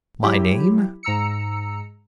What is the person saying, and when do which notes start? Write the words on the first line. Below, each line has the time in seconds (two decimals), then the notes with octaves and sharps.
"My name?"
0.23 F#3 E4 G4
1.03 G#2 A#5 E6 C#7